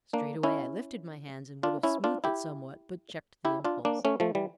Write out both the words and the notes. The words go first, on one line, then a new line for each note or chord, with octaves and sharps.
Straightway I lifted my hands, and would have smoothed it somewhat, but checked the impulse.
A#3 D4
C#4 E4
D4 F4
C#4 E4
D4 F4
E4 G4
E4 G4
D4 F4
A#3 D4
A3 C#4
F3 A3
E3 G3